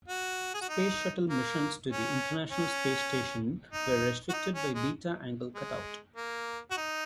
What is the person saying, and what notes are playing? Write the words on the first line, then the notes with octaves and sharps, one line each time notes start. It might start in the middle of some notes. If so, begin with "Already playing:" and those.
Space Shuttle missions to the International Space Station were restricted by beta angle cutout.
F#4
G#4
F#4
D#4
A#3
C#4
C#4
D#4
F#4
D#4
C#4
G#3
G#3
A#3
F#4
D#4